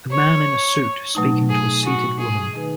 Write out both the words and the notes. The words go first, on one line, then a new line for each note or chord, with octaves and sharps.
A man in a suit speaking to a seated woman.
C#5
B2 F#3 A3 D#4
G#4
F#4
G#4
D#3 A3 D#4 G#4 B4